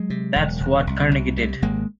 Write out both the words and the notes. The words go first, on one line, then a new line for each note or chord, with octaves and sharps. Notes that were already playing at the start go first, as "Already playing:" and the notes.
That's what Carnegie did.
Already playing: F#3 G#3
C3
E1
E1
C2
C2
C3
G#1 G#3 A#3